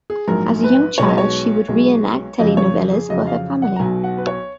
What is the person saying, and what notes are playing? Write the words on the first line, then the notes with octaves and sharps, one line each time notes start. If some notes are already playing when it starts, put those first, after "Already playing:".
As a young child, she would reenact telenovelas for her family.
G#4
A#1 G#2 F#3 A#4
B4
B1 B2 G#3 C#5
D#5
C#5
B1 B2 G#3
F2 C#3 F#3 D#5
C#5
G#4
F2 C#3 F#3 D#5
F5
F#5
A#5
B1 B2 F#3 G#5
F#5
B4
C#5